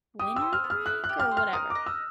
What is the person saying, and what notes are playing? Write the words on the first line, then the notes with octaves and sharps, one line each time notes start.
winter break or whatever.
G4 D#6
C5 E6
F6
B3
F6
E4 F#6
F#6
G4
F6
C5
F6
A#4 D#6
D6
D#5
E6